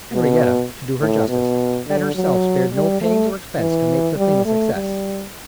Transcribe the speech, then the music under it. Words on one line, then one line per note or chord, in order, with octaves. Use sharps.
Henriette, to do her justice, had herself spared no pains or expense to make the thing a success.
B2
A2
B2
D3
F#3
G3
A3
E3
G3
A3
G3